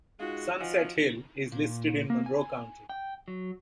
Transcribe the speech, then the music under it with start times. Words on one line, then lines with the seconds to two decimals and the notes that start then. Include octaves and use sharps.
Sunset Hill is listed in Monroe County.
0.20 G#3 D#4 F4 F#4 F5
0.60 F3 D#5 F#5 G#5
1.52 A#2
2.10 A#3
2.26 G#5
2.89 G5
3.28 F#3